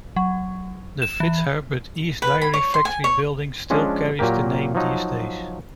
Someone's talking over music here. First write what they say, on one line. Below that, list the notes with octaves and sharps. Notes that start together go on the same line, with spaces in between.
The Fitzherbert East Dairy Factory building still carries the name these days.
F#3
E7
E3
B4
B5
C#5
C6
G#5
C#5
F3 G#3 C#4 D4
A#2 F#3 A#3 G4 A#4
F3 F#3 D#4